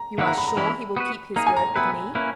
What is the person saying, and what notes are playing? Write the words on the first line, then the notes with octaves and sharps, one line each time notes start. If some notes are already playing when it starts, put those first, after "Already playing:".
"You are sure he will keep his word with me?"
Already playing: A#5
D#3 A#3 E4 B4 F#5
A#5
B5
A#5
E3 G#3 C#4 E4 B5
B3 F#4 B4
A#3 D#4 G#4 A#5
G#5
A#5
B3 E4 B4 B5
A#3 C#4 E4 B4